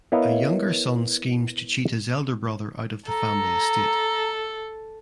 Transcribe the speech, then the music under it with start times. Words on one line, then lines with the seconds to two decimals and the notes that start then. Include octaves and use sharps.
A younger son schemes to cheat his elder brother out of the family estate.
0.12 B3 E4 A#4 C#5 D#5 F5
3.08 A4 A#5